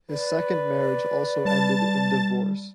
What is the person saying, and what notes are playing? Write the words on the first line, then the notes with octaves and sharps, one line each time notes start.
His second marriage also ended in divorce.
B4 D5
G3 A5 A6